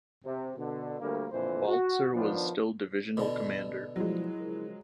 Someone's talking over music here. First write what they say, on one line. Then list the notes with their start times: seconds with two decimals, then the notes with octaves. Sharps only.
Baltzer was still divisional commander.
0.25 C3
0.57 B2 D3
1.00 D2 D3 G3 A#3
1.32 F2 A#2 D3 E3 C5
1.67 F#4
2.14 D#3 F3 B3 D4
3.17 A1 B2 D3
3.96 F3 F#3 G#3 E4
4.40 C#3 F3 A#4